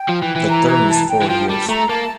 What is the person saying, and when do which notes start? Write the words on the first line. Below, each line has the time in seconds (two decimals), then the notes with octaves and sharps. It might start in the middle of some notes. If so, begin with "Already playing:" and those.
The term is four years.
Already playing: G5
0.09 F3
0.22 E3
0.35 E3
0.49 A#5
0.68 A#5
0.89 A5
1.09 G5
1.22 E3
1.29 F3 G5
1.48 G3 A5
1.69 A3 A#5
1.89 A#3 A5